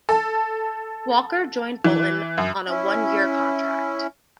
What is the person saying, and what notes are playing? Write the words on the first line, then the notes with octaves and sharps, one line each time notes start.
Walker joined Bolton on a one-year contract.
A4
E3
F#2
C#4 E4